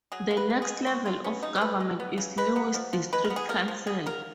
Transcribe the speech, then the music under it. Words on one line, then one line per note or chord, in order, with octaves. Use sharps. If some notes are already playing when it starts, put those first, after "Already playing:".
The next level of government is Lewes District Council.
F#3 G#4
A#3
B4
B2
G#4
B2
F3 F#4
G#3 F4
B3 C#4
C#3 D#4
C#5
F3 B4
G#3
B3
C#3
G#3 B4
B3
F3
F3
G#3 B4
A#4
B3
G#4
F3 A#4
F3
F#3 G#4
A#3 A#4